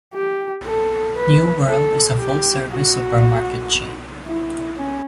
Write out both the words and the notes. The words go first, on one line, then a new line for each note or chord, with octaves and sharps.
New World is a full-service supermarket chain.
G4
A4
B4
A4
G4
F#4
E4
C#4